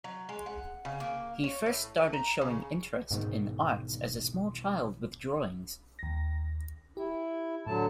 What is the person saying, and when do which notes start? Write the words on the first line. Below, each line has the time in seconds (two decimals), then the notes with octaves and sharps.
He first started showing interest in arts as a small child with drawings.
0.04 F#3
0.29 G#3
0.46 F#5
0.85 C#3
1.00 A#3
1.44 C#5
1.66 A2
1.97 A3
2.13 A#5
2.41 C#3
3.11 E1 G#2 B2 D#3
5.99 D#2 A#6
6.97 E4 G4
7.67 A2 D3 F#3 A5